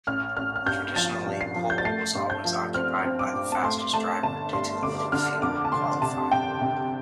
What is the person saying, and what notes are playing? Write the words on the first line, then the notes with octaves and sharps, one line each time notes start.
Traditionally, pole was always occupied by the fastest driver due to low-fuel qualifying.
A1 F6
A1 F6
F6
G2 G6
F3 A6
G2
C7
F3
G6
A6
A3 C7
G2
G6
F3
C4 F6
C4
D6
G2
A5
A3 C6
A3 A5
G1 A5
G2 C6
G1 D6
D3 F6
F2 D6
A5
F1 C6
C3 A5
C3 G5
C3